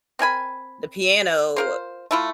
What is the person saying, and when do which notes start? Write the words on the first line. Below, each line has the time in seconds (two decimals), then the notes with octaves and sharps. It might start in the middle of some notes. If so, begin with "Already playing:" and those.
the piano.
0.19 C4 A#4 G#5 B5
1.56 F4 A#4 C5
2.11 A3 E4 F4